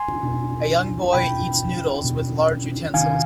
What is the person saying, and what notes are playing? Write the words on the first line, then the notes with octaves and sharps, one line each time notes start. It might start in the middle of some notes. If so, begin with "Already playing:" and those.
A young boy eats noodles with large utensils.
Already playing: G#5 C6
B2
B2 G5 B5
B2
C3 D#3 F5 G#5